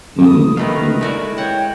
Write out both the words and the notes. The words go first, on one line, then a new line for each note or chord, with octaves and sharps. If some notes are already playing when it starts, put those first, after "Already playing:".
Mhm. Mhm.
D#6
D#3 A3 B3 A#4 B4 F5 B5
G#3 A3 E4 F#4 D5
F#4 C#5 F#5 G5